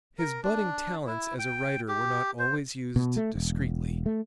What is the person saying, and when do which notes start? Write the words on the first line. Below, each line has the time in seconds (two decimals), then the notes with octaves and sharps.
His budding talents as a writer were not always used discreetly.
0.19 A#4
0.43 D4
1.07 E4
1.39 G5
1.88 G4
2.39 C5
2.96 B2
3.17 A3
3.35 E1
4.06 A3